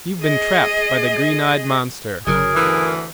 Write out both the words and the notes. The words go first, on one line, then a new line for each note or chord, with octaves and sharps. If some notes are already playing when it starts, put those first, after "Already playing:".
You've been trapped by the green-eyed monster.
G#4 D#5
G1 C#3 F#3 G#4 A#4
D2 E3